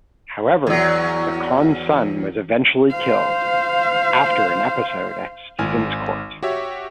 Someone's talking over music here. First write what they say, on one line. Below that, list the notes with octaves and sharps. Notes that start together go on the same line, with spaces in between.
However, the Khan's son was eventually killed, after an episode at Stephens's court.
E2 F#3
C5 F5
G#1 G#5 F6
F#4 G4 C#5 E5